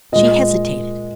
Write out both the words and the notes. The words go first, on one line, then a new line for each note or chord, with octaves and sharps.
She hesitated.
A#2 G#3 D#5